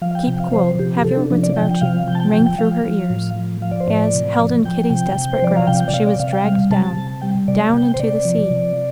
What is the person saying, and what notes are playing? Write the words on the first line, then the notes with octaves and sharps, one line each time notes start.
"Keep cool; have your wits about you," rang through her ears, as, held in Kitty's desperate grasp, she was dragged down, down into the sea.
F3 F5
G5
C3 G5
F5
F3 C5
C3 G4
C3 A4
D4
F3 D4
D5
F3 G5
G5
C3 F5
F3 G5
A5
G5
F3 G5
G5
F3 F5
F3
A2
F3
F3 F5
D5
C5
A2 D5
C3
F3
F3 G5
C3 G5
C3
C5
F3 D5
F5
C3 G5
G5
D5
C3 F5
D5
C3 F5
G5
G3 F5
C3 A5
C3
G3 G5
C3 D5
C3 G5
C5
C3 D5
F3
C3